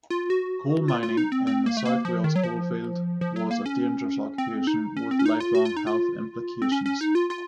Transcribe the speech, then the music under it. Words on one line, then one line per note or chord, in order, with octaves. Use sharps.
Coal-mining in the South Wales coalfield was a dangerous occupation with lifelong health implications.
F4
F#4
F4
F4
D#4
C4
C4
A#3
A3
A#3
F3
D#3
F#3
F3
F3
F#3
A#3
C#4
C4
D#4
C#4
C4
C#4
D#4
F4
F#4
F4
D#4
F4
C4
C#4
C#4
D#4
F4
F4